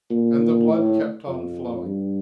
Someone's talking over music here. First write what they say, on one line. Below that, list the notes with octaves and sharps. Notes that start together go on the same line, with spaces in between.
And the blood kept on flowing.
A#2
A2
F2
G2